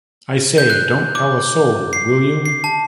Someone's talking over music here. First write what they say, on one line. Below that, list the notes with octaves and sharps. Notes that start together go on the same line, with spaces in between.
I say, don't tell a soul, will you?
G6
F#6
D6
C7
C7
A5